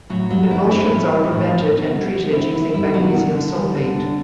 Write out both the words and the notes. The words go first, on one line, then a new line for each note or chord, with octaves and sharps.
Convulsions are prevented and treated using magnesium sulfate.
A2 F#3 F#4
F#3 G3 F#4
A2 E4
C4 E4
A2
G3
A2
C4
B2
G3
B2
C4 E4
B2 E4
G3 E4
B2 F#3 F#4
D4
D3
G3
D3
D4